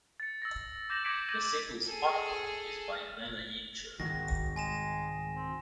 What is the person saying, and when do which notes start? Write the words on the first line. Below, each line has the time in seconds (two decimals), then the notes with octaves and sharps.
The single's artwork is by Yelena Yemchuk.
0.20 A6 C#7
0.42 E6 A6 A#6
0.90 D6 G6 A#6 E7 F#7
1.04 D6 G#6 A#6 B6 C#7 D7
1.29 G6 G#6 A#6 D#7 F#7
1.85 G#4 A4
4.00 C2 G#2 D#3 F#4 A#6
4.56 G#3 G#5 A#6 E7
5.36 C4